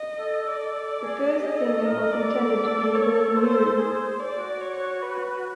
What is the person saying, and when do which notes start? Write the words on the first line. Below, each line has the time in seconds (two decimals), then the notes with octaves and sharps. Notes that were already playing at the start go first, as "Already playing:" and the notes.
The first single was intended to be Who Knew.
Already playing: D#5
0.19 A4
0.47 A4 D5
0.74 A4
1.02 G#4
1.29 G#4 D#5
1.38 G4
1.46 G#4
1.57 A4
1.85 A#4
2.12 A4 D5
2.95 C#5
3.36 C5
3.78 G#4 C5
4.19 D5
4.33 F#4
4.61 C#5
5.02 B4